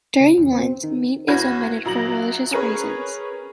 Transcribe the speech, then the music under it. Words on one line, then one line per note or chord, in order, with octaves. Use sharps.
During Lent, meat is omitted for religious reasons.
C#3
E2
C4
D#3
E2 C#4 F#4 B5 G#6 A#6
A#1 F#3 A#5 A#6 F#7
C#4 G#4 A#4 B4 C#5